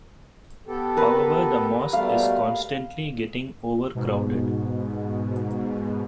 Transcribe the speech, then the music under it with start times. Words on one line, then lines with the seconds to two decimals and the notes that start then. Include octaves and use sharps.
However the mosque is constantly getting overcrowded.
0.67 B3 G4 A4
0.97 A#4 B4
1.93 B2 G3 A3 F5
3.95 G#2 B2